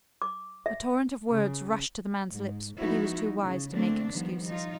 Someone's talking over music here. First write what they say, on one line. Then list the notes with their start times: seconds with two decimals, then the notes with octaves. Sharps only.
A torrent of words rushed to the man's lips, but he was too wise to make excuses.
0.22 D6
0.66 E5
1.29 C#3
2.32 G#2
2.79 F3 G#3 B3 D#4 E4 F#4
3.44 C#3
3.73 D3 A3 A#3 C4 D4
4.10 D#3 F3 G3 B3
4.46 D#4 F4